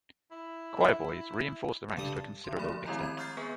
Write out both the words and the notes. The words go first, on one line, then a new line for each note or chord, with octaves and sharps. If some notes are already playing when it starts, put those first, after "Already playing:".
Choirboys reinforce the ranks to a considerable extent.
E4
D3 E5
C#2 G2 A4 D#6
D3 C6
F3 A3 A#3 D5 B5
D#3 G#3 C4 E4 D#5 A#5
B5 G#6
C#6 D#6 F6 G6 A6 C7
B3 G#4 B4 G#5